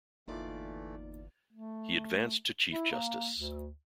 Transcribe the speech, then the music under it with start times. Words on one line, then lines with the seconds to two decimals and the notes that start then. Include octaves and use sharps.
He advanced to Chief Justice.
0.28 G1 E2 E3 A3 A#3 D#4 F4 D5
1.53 A3
2.73 E4
2.92 A#3
3.38 D2